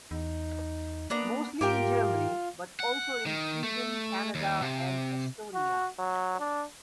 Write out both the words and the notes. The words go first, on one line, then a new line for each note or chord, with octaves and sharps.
Mostly in Germany, but also in Sweden, Canada and Estonia.
E2 D#4
A#3 B3 D4 A#5
G#2 F4 G4 A#4 F5 G5
F#5
D#3
A3
D#2
C3
F#4
F#3
D4